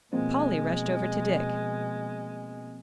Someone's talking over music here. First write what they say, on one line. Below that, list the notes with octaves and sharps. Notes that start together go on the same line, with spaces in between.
Polly rushed over to Dick.
B2 F3 G#3 A#3 C4